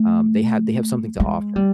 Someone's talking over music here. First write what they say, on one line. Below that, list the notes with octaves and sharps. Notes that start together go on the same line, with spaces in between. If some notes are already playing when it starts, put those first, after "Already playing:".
um, they have, they have something to offer.
Already playing: A3
G#3
G3